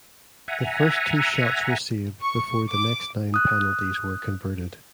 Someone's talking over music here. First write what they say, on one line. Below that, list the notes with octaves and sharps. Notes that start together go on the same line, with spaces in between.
The first two shots were saved before the next nine penalties were converted.
E5 F#5 G#5 A#5
C#6
D6
D#6 F#6